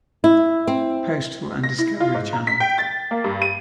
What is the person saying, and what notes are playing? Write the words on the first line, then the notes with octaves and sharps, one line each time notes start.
Postal and Discovery Channel.
E4
C4
A#6
E4
F4
G#2
A#5
B6
G5
A6
A#3
G2
D#7